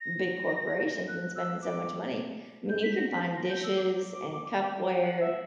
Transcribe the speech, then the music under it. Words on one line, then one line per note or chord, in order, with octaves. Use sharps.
big corporations and spending so much money I mean, you can find dishes and cupware
A#6
F#6
E6
D6
G6
B6
A#6
B6
B6
A#6
G6
E6
D6
G5
F#5
E5